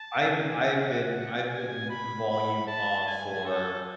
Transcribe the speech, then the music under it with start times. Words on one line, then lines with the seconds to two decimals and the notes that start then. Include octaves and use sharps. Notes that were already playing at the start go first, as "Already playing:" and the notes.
I'm I've been I've been "volume off" for
Already playing: A5
0.33 G#5
0.73 F#5
1.51 G#5
1.89 B5
2.29 B5
2.67 A5
3.07 G#5
3.45 A4